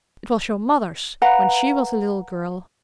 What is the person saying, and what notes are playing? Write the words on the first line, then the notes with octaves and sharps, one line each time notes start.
"It was your mother's when she was a little girl."
B4 F5 F#5 A#5